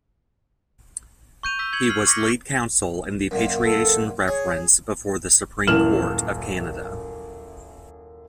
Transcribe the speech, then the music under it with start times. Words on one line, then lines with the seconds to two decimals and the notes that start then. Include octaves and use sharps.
He was lead counsel in the Patriation Reference before the Supreme Court of Canada.
1.43 C#6 G6 D#7 F7
1.59 E6 G6 B6 G7
1.73 C#6 G#6 C#7 F#7
1.89 F6 C7 F#7
2.07 C#6 D6 G#6 A#6 B6 C#7
2.18 C#6 G7
3.31 F#2 A#2
3.64 A4
4.28 G#4 C#5
5.67 D#1 F#2 E3 F6 E7 F#7